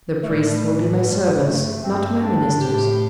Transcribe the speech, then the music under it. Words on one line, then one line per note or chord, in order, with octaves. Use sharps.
"The priests will be my servants, not my ministers."
A3
A2 G3
E3
G2 G3
A3
G2 C4
D4
A2 G4